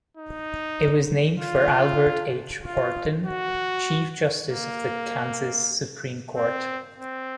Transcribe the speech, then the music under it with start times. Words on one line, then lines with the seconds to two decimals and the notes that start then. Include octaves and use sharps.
It was named for Albert H. Horton, chief justice of the Kansas Supreme Court.
0.17 D#4
1.40 F4
2.64 F4
3.26 F#4
4.50 A#3
6.37 C4
6.98 C4